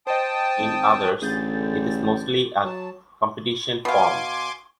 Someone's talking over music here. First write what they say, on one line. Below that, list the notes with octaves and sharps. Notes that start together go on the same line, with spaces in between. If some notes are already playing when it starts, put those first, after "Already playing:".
In others, it is mostly a competition form.
C5 D#5 G5 A5 D#6
G#1
A1 D3 G#4 G6 A6
F#3 A5
B2 F5 G#5 C6 D6